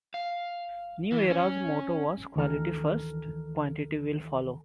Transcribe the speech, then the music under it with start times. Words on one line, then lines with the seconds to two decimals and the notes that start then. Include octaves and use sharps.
New Era's motto was "Quality First, Quantity Will Follow".
0.14 F5
1.12 E3
1.30 C#4
2.36 D2 D#3 E3 A4 A#5 F6